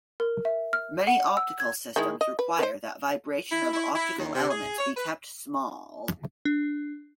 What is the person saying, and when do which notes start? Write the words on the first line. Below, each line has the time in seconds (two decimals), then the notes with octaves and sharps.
Many optical systems require that vibration of optical elements be kept small.
0.20 A#4
0.45 E5
0.73 F6
1.07 F#5
1.37 E6
1.60 G#6
1.96 D#3 G#3 E4
2.21 D#5
2.39 B4
2.59 B4 C5
3.52 E4
3.74 E4
3.95 E4
4.18 D#2
4.34 C3
4.51 G#4
4.79 C#5
4.97 B4
6.45 D4